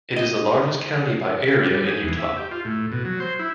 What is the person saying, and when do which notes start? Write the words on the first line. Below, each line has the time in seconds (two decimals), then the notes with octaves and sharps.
It is the largest county by area in Utah.
0.16 D#5
1.64 G3
1.86 G#4
2.02 E2
2.18 E5
2.37 G4
2.51 F4
2.65 A2
2.92 B2
3.05 F#3
3.20 C5
3.39 E4